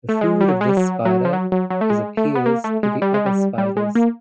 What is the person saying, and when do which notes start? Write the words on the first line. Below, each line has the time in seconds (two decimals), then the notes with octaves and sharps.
The food of this spider is appears to be other spiders.
0.09 A3
0.21 G#3
0.41 G3
0.49 F#3
0.61 G#3
0.69 G3
0.77 F#3
1.05 F#3
1.25 F3
1.33 F#3
1.52 F#3
1.70 F#3
1.81 A3
1.90 G#3
2.17 A3
2.35 B3
2.46 A#3
2.64 A3
2.83 G#3
3.02 G3
3.14 G#3
3.26 G3
3.58 G3
3.77 G#3
3.95 A#3